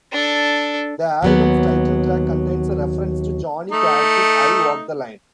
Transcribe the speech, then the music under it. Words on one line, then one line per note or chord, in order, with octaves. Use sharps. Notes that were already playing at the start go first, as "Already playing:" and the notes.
The album's title track contains a reference to Johnny Cash's "I Walk the Line".
D4 A4
D#2 F#3 B3
A3 D#4